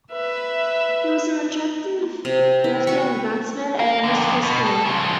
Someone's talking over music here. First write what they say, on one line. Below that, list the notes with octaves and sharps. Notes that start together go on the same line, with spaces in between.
He was an attractive left hand batsman and a useful spinner.
B4 E5
C3
E4
F#4 C#6
A#4 F5
F2 D3
B2
A2 A4
C#3 F3